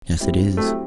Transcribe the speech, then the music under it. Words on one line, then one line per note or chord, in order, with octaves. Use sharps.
"Yes, it is."
G3 C4 E4
F#3 A3 C4 E4 G4